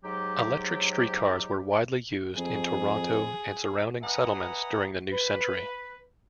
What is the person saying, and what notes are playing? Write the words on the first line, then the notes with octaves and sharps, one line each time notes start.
Electric streetcars were widely used in Toronto and surrounding settlements during the new century.
G#2 F#3 G4
F2 G#4
B4 D#5 E5 F#5 G#5 A#5
B4